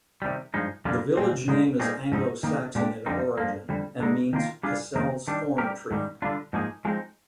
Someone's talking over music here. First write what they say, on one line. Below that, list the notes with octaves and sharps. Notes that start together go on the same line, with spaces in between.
The village name is Anglo Saxon in origin, and means 'Picel's thorn tree'.
C3 D#3 G3
G2 F3 G#3 D#4
F2 D3 G3 A#3 F4
A#2 G#3 C4
D3 G#3 D#4 A#4
A#2 G3 C4 D#4 G#4
G#2 F3 C4 D#4
D#3 A#3 D#4
A#2 G#3 D4 G4
F2 D3 G3 C4 D#4
G2 F3 A#3
F2 D3 G3
D3 G#3 D#4
D#3 A#3 F4 A#4
G3 D4 F4 G#4
F2 D#3 A#3 D#4 A#4
D#3 G3 D4
G3 C4 G4 A#4
G#2 D#3 G3
D3 G3 D4 F4
G#2 F3 A#3 D#4 G#4
F3 G#3 C4 D#4